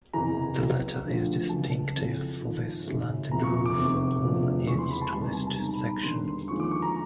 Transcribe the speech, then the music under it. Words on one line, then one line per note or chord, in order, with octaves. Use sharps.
The latter is distinctive for the slanted roof on its tallest section.
F#1 E2 C3 E3 A#5
C#2 C#3 F#3
D2 D3 F3
C#2 C#3 F#3 A5
F2 C#3 E3
G#1 G#2 F3
G#1 F#2 C#3
E1 E2 C3 F3 A#5
C#6
C#6
D6
F1 E2 C3 E3 D6
E1 D2 C3 F3
E2 C#3 E3 G#3 C#6
C6
B5
A5
C#2 C3 D#3 G3 A5
A#5
A5
A5
B1 B2 G3 A#5
B5
A#5
E1 D#2 D3 G3 C6
D#2 D3 F3 G#3 C#6
D6
C#6
A#5